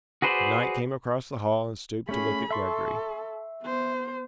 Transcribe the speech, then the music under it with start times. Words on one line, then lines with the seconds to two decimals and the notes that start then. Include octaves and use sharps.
The knight came across the hall and stooped to look at Gregory.
0.22 F#4 G#4 B4 C5 D5
2.09 A3 C#4 G#4 B5
2.51 A4 E5 C6 C#6
3.63 B3 C5